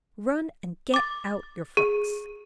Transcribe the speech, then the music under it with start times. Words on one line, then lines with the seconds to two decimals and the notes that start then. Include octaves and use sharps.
Run and get out your frocks.'
0.94 D6 A6
1.77 G#4